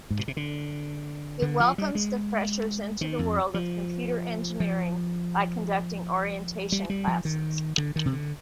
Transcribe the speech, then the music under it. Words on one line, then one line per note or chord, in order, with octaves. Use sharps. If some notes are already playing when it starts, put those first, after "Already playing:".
It welcomes the freshers into the world of computer engineering by conducting orientation classes.
G#2
B2
C3
D3
D3
F3
G3
G#3
D#3
F2
F3
F3
G3
G3
F3
D#3
D3
D#3
C3
D3